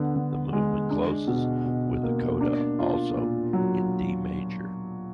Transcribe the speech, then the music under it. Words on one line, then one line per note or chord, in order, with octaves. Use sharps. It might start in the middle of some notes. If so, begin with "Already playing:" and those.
The movement closes with a coda, also in D major.
Already playing: D3 B3
D3
G#3
D4
B2
B2
A#3
D4
F4
A#2
F#3